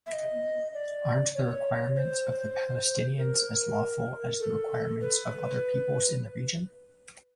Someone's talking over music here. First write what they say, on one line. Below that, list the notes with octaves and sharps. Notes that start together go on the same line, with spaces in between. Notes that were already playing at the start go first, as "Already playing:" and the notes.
Aren’t the requirements of the Palestinians as lawful as the requirements of other peoples in the region?
E5
D#5
D5
C#5
C5
A#4
A4
B4